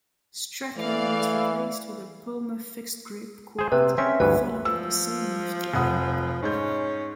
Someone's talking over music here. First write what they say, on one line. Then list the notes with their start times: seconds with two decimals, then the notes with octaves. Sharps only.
Strachan was replaced with a Poma fixed-grip quad following the same lift line.
0.77 E3 A3 D5 F5
3.59 G#4 C5
3.72 C3 B4
3.98 C4 C#4 E5
4.20 D2 G2 E3 B4
4.65 F3 E6
5.74 F1 F#5 D#6
6.42 G#2 C#4 G6